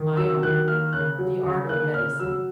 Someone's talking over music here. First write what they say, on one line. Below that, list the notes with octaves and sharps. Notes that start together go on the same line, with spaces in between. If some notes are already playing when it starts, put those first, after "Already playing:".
ION: The art of medicine.
Already playing: D#3
F#3 E6
D#3 F#6
A#3 F6
C#3 F#6
F#3
C#3
A#3 F#6
C#3 F6
F#3 E6